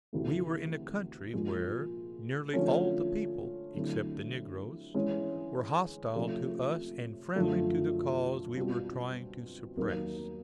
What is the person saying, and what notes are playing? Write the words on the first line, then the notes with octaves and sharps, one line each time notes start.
We were in a country where nearly all the people, except the negroes, were hostile to us and friendly to the cause we were trying to suppress.
D2 C3 E3 A3
A#2 F3 G#3
D3 F3 A3 C#4
D3 F#3 A3 C4 E4
E3 G#3 C#4
C3 F3 A3 C#4
F#2 D3 F3 A3
B2 G3 C4 F4
D#2 D#3 F#3 A#3 D#4